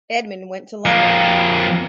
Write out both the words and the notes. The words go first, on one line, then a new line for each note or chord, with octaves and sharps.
Edmund went to London.
F2 A#3